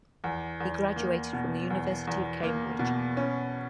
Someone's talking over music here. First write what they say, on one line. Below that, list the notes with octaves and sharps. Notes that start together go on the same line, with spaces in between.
He graduated from the University of Cambridge.
E2
E2
A#3
B2
E2
E2
A#3
B2
C#4